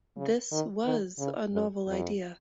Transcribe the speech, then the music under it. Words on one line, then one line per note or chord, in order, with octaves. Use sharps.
This was a novel idea.
C#3
D#3
D#3
C#3
F#2
F2